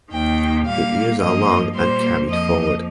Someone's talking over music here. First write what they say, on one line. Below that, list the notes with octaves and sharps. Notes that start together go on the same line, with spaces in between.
The ears are long and carried forward.
D#2 D#3 A#3 G5
A#2 G3 A#3 F5
G2 F3 A#3 D#5
A#2 G3 A#3 C5
F2 F3 A#3 D#5